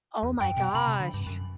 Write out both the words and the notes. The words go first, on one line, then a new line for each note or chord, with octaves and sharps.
Oh my gosh.
E2
F#2 G5
B2 G5
C3 B5
C3
D3
G2
F#2